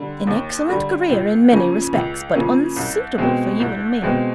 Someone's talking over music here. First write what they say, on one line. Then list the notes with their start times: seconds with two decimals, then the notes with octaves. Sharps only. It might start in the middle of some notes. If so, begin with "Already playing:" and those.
An excellent career in many respects, but unsuitable for you and me.
Already playing: D3 G3
0.27 D#2
0.69 D3 G3
1.09 C#2
1.51 C#3 F3 A#3 C#4
1.94 C#2
2.35 C#3 F3 A#3 C#4
2.76 C2
3.18 B2 G#3 C4
3.60 C2
4.02 B2 G#3 C4